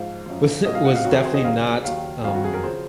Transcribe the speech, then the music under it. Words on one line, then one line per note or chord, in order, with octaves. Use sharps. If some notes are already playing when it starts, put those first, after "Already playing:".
was was definitely not, um,
Already playing: G#2 F3 F5
F#2 F3
C2 A#2 F#3 D#5
F5
F#5
F5
F2 D#3 F#3 F#4
G#4
C5
D#5
D#2 C#3 F#3 F5
D#2 D#3 F#3 F5
F2 D#3 F#3 F5
F#4
G#4
A#4
C#3 F3 C5